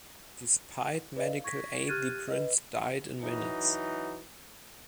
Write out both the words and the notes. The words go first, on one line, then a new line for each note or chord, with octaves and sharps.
Despite medical aid, the prince died in minutes.
B4 D5 D#5
F5
C#6 G#6 A#6 B6
G4 F6 F#6 G#6 A6 D#7
B4 D#5
E3 F#3 D#4